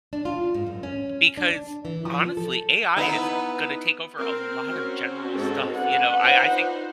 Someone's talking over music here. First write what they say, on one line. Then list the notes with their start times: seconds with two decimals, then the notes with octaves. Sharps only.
because honestly, AI is gonna take over a lot of general stuff, you know? I I think
0.13 D4
0.25 F4
0.54 G#2
0.67 F#2
0.83 C#4
1.37 D4
1.85 E3
2.05 F3
2.37 A4
2.96 B3 D#4 E4
4.18 C4 A#4
4.66 C4 C#4 F#4
5.35 G#2 A4
5.74 D4 B4 F#5
6.20 D#4 F4 C5